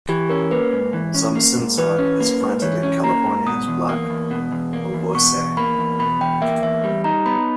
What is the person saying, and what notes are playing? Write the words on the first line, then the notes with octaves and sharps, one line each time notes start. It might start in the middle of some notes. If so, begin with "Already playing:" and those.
Some Cinsaut is planted in California as Black Malvoisie.
E3 G4
C#4 A#4
A#3 B4
G#2
E3
C#4
A#3
G#2
E3 B4
C#4
A#3
G#2
E3 C#5
C#4
A#3 A#5
G#2
B2 D#6
E2
A#3
E2
B2
E2
A#3
E2
B2 C#6
E2
A#3 B5
E2
B2 B5
E2 G5
A#3 E5
E2 E5
G3
D#4 A#5
B3 B5